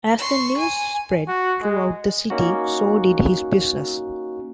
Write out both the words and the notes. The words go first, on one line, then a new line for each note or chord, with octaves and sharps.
As the news spread throughout the city, so did his business.
C6 C#6
G#5
F#4
G#3
A#3 C#4 D#4 F#4